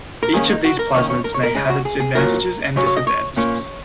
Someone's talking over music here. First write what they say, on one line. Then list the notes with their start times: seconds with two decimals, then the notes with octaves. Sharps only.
Each of these plasmids may have its advantages and disadvantages.
0.23 A#4
0.33 D#3 A#3 C#4 G#4
0.49 D#4
0.65 F#4
0.79 A#4
0.95 D#3 A#3 C#4 C#5
1.10 C#5
1.24 A#4
1.34 C#5
1.43 A#4
1.55 C#3 G#3 C#4 G#4
1.70 F#4
1.85 G#4
2.00 G#4
2.15 A#2 F#3 A#3 C#4 A#4
2.76 C#3 F#3 C#4 C#5
2.86 C#5
2.96 D#5
3.07 C#5
3.36 A#2 A#3 C#4 C#5